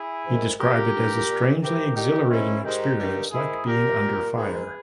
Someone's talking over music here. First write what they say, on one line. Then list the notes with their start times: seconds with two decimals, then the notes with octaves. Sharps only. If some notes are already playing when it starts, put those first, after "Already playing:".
He described it as "a strangely exhilarating experience, like being under fire".
Already playing: E4 G#4
0.26 G#2 D#3
0.60 A#2 G4 A#4
0.94 G2 E3
1.28 A#2
1.62 G#2 E3 G4 A#4
1.96 A#2 D#4 G4
2.30 G#2 D#3 C#4 E4
2.64 G#2 D#3 D#4 G4
2.98 G2 D#3
3.32 G#2 D#3 E4 G#4
3.66 A#2 G4 A#4
4.00 A#2
4.34 G#2 D#3 G#4 B4